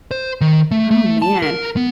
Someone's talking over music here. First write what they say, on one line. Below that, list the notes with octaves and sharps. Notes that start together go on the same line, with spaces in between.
Oh, man.
C5
D#3
A3
A3
A5
A#4
B3